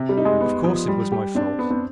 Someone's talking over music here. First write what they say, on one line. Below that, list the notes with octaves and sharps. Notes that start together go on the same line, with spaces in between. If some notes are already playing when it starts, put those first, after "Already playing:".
Of course it was my fault.
Already playing: C3
G3
D#4
G#3
B3
F3
G3
G4
C4 D4
B3
C4